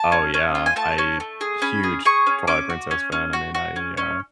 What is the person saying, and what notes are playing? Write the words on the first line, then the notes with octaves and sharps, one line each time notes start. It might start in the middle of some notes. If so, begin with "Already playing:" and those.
Oh, yeah, I huge Twilight Princess fan, I mean, I uh, a
Already playing: A5
C#4
C#4
F4
G#5
A3 A5
C#4
A3
G#4
C#4 B5
G#4
G#4 C#6
C#4
C#4 D6
F#4
C#4
C#4
F#4
F#4
C#4
C#4